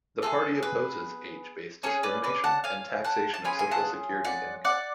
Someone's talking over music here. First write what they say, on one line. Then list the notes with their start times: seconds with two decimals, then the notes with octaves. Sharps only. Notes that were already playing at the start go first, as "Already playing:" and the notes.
The party opposes age-based discrimination and taxation of Social Security income.
0.22 B3 F4 G#4 A4
0.63 B4
1.83 C#4 G#4 A4 C#5
2.03 B4 D5
2.24 B4 D5
2.44 F#5 A5
2.64 F5 G#5
3.05 F#5 A5
3.34 A5
3.44 C#4 F4 G#4 G#5 B5
3.59 G#5
3.71 F#5 A5
4.24 D5 F#5
4.65 D5 F#5